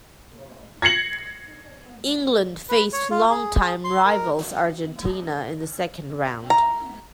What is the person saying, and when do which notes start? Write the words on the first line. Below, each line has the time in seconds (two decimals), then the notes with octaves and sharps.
England faced long-time rivals Argentina in the second round.
0.82 G#6 A#6 C7 C#7 F#7
2.69 B4
2.93 C#5
3.11 F4
3.30 G#4
3.57 G#4
3.84 C6
4.05 A#4
6.50 A#5